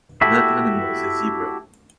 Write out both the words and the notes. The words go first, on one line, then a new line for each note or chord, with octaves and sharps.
That animal is a Zebra.
E4 F#4 G4 A4 E5